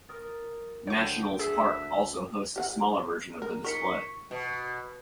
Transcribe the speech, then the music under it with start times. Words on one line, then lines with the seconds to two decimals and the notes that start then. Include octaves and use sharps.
Nationals Park also hosts a smaller version of the display.
0.09 A#4 D#6 A6
0.87 D2 C#5 G5 C#6
1.39 G#4 E5 B6
2.56 G4 F5 F#5
3.42 A#4
3.64 D#4 A#4 C#6 B6 C#7
4.31 B2